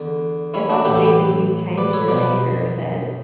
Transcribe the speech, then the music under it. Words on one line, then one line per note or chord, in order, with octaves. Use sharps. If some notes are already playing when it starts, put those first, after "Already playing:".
if I see that you've changed the behavior that
Already playing: E2 D3
C#4 E4
D4 F#4
A1 A2 E3 E4 G4
F#4 A4
G4 B4
B4 D5
A4 C#5
B1 B2 B4 D5